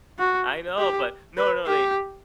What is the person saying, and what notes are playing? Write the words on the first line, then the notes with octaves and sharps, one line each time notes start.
I know, but no, no, they
F#4
G4
B4
G4